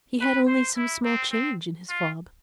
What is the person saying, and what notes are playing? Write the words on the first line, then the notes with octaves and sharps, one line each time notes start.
He had only some small change in his fob.
B4
C5
E4
C4
C4
F4